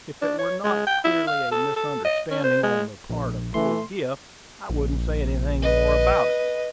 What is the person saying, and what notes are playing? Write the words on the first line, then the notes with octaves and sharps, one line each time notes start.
"If it were not clearly a misunderstanding on the part of poor Griff, I wouldn't say anything more about it."
D4
C#5
G#3
G5
E4
F5
A4
A4
D#5
C#4
C5
G#3
A#1
E3 A3 C6
A#1
B4 D#5